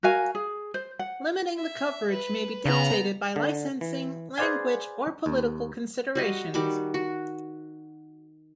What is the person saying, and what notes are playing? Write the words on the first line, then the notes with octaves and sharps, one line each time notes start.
Limiting the coverage may be dictated by licensing, language or political considerations.
F#4 A#4 F5 G#5
G#4
C5
F#5
E5
B4
C#3 B3 A#5
D3
E3
G#4 B4 C5 D5 F5 G#5
D#2
G3 F#4 D#5
D#3 G3 F#4 D6
F#4